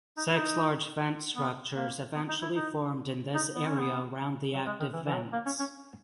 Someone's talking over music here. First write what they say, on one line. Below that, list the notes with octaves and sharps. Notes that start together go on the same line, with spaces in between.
Six large vent structures eventually formed in this area around the active vents.
D#4
E4
D#4
B3
A#3
B3
D#4
E4
D#4
D#4
B3
C#4
B3
F#3
G#3
D#3
E3
E3
F#3
A#3
C#4
C#4